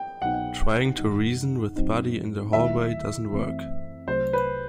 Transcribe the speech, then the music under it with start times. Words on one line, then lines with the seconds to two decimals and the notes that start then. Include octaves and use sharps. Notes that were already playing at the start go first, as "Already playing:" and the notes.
Trying to reason with Buddy in the hallway doesn't work.
Already playing: G5
0.21 C2 B2 F#3 B3 D#4 F#5
0.98 F#2 D#3 G3 D#4
1.76 F#2 F#3 C4 D#4
2.53 D#2 D#3 F#3 A3 E4 E5
3.30 F#2 E3 A3 C4
4.07 C2 C3 F#3 A3 C5
4.33 B4